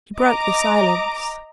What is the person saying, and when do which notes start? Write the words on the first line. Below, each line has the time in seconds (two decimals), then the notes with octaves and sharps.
She broke the silence.
0.19 D#5 A#5 D6